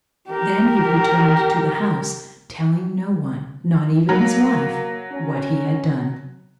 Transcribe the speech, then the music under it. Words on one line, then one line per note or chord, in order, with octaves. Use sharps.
Then he returned to the house, telling no one, not even his wife, what he had done.
G4 A#4
F#3 A#3
C#4